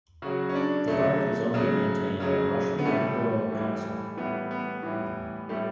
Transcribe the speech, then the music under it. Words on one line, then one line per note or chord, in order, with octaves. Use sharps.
The park is owned and maintained by Rushmoor Borough Council.
C#3 F#3 F#4
C#4
D4
C#3 F#3 A3
C#3 F#3
C#3 F#3
B3
A2 E3 G3 A3
A2 E3 G3
A2 E3 G3 B3
B3
A2 E3 G3
A2 G3 A3